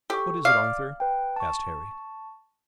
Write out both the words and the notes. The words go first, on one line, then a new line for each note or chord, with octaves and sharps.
"What is it, Arthur?" asked Harry.
G4 A4 C#6
D5 F5 D6
B4 G5
A5 C#6